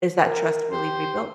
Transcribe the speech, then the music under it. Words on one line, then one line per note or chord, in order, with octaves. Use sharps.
is that trust really rebuilt?
A#4
G4 C5